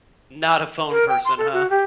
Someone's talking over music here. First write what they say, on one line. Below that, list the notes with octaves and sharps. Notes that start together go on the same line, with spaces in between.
Not a phone person, huh?
A#4
G5
C6
A4
F#4
G4